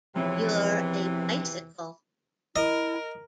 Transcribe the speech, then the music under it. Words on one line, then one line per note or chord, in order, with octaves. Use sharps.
You're a bicycle.
E2 C3 E3 F3 C4 C#5
E4 A#4 D#5